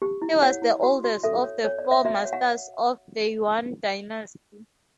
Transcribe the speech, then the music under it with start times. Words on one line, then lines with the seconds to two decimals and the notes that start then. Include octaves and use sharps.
He was the oldest of the Four Masters of the Yuan Dynasty.
0.02 G4
0.22 E4
0.42 C#5 F#5
0.62 E4
0.83 F#4
1.04 F#4
1.24 A4 E5
1.44 C#5
1.65 C#5
1.79 D5
1.85 C#5
1.91 E5
2.05 F#4 E5
2.19 F#5
2.25 C#5
2.33 F#5